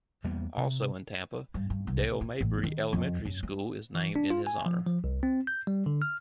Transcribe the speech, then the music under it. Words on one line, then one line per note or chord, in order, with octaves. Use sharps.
Also in Tampa, Dale Mabry Elementary school is named in his honor.
E2 G3 A#3 B3
C3
G2
G2
C2
C3
E4
A1
D#3
F2
F#2
G#3
E3
D4
F4
G#5
F3
F3
C2
C4
G6
G3
D3
F6